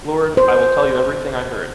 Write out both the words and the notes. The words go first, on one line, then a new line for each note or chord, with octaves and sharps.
Lord, I will tell you everything I heard.
C5